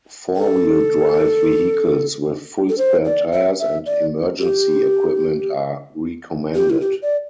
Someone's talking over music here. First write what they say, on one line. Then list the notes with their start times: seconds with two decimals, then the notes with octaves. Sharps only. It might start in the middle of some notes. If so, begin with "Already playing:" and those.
Four-wheel drive vehicles with full spare tires and emergency equipment are recommended.
0.36 A4
2.69 A4
2.78 C5
3.05 D5
3.32 E5
3.59 E5
3.86 D5
4.39 G4
6.55 G4
6.70 E4
6.81 G4
7.02 D5